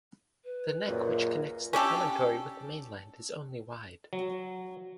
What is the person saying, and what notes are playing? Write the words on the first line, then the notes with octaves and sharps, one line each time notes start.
The neck which connects the promontory with the mainland is only wide.
B4
C#2 F#2 A#2
C#4 D4 G4 A4
F#3